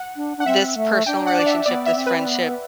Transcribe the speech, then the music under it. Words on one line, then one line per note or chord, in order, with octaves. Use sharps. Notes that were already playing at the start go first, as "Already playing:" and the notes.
this personal relationship, this friendship,
Already playing: F#5
D4
D4 F#5
C4 E5
A3
D4 G5
F#5
D5
E5
B3 D5
E5
C4
B4
B3